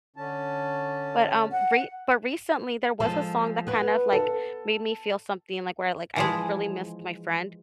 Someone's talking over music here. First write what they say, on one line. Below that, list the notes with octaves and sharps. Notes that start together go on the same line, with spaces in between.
But, um, re but recently, there was a song that kind of, like, made me feel something, like, where, like, I really missed my friend
D3 C#4 A5
F#5
F3 G#3 A4
B3 B4
A4
E3 F3 G#3